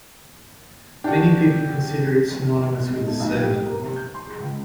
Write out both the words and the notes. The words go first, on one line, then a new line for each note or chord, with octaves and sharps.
Many people consider it synonymous with a sermon.
D4 F#4 G4
G#3
A3
B1
G4
A#3
C3
G6
C6
G#4
C#2